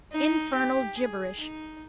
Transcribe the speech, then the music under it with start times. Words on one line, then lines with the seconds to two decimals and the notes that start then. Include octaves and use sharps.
Infernal gibberish!
0.12 D#4
0.55 G4
0.97 G#4
1.40 D#4